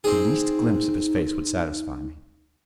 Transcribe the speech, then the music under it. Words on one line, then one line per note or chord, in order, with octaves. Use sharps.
The least glimpse of his face would satisfy me.
C4 D#4 G#4